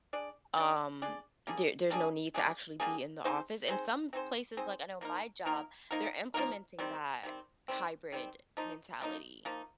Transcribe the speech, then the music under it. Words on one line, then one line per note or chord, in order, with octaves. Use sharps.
Um, there there's no need to actually be in the office, and some places like I know my job, they're implementing that hybrid mentality.
D4 G#4 D5
D4 G#4 D5
D4 G#4 D5
G3 A#3 D4 G#4
G3 A#3 D4 G#4
G3 A#3 D4 G#4
G3 A#3 D4 G#4
C4 D#4 G#4 C5
C4 D#4 G#4 C5
C4 D#4 G#4 C5
C4 D#4 G#4 C5
F3 A#3 D#4 A#4
F3 A#3 D#4 A#4
F3 A#3 D#4 A#4
F3 A#3 D#4 A#4
D#3 G3 C4
D#3 G3 C4
D#3 G3 C4
D#3 G3 C4
F3 A#3 D#4
F3 A#3 D#4
F3 A#3 D#4